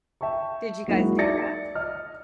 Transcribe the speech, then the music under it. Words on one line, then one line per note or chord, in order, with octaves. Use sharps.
Did you guys do that?
E5 G5 A5 C#6
F#3 G#3 A#3 D#4 E4 F#4
D5 E5 A6 A#6 C#7
D#5 F6